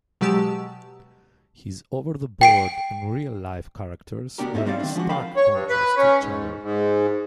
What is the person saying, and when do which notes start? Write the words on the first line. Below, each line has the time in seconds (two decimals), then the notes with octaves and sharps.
His over-the-board and real-life characters were in stark contrast to each other.
0.21 B2 F#3 G#3 G4 A5 E6
2.41 G5 C7 D7
4.38 B2 B3 D4 G4 A#4
4.54 A#3 B3 D#4 C#5 D#5 E5
4.66 G3 C4 C#4 D5 E5 F5
4.79 D#3 F3 B3 C4 D4
4.95 F3 G#3 D4 F4 F#4
5.09 A#4 F5 G5 A5 B5
5.36 C#5
5.52 G2
5.70 B4
5.97 C#4
6.19 G#2
6.63 G#2